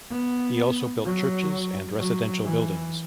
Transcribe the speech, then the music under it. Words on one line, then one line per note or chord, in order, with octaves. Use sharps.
He also built churches and residential buildings.
B3
F#3
F#3
E3